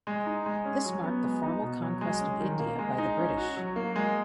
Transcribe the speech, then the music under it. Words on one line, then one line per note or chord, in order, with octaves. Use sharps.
This marked the formal conquest of India by the British.
G#3
D#4
G#3
C#4
F#3
B3
G#3
D#4
B2
F#3
G#3
C#4
D#3
A#3
G#3
D#4
C#4
F#4
F#3
A#3
G#3